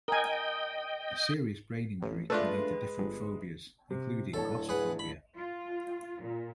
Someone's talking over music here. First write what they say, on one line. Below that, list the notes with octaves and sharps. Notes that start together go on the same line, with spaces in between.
A serious brain injury can lead to different phobias, including glossophobia.
A#4 D#5 G5 G#5
A1
G#3 A3 D4 F4 B4
G1
C3
D1 A4 C#5 A5
G#4 B4 F#5
B5
F4
A#2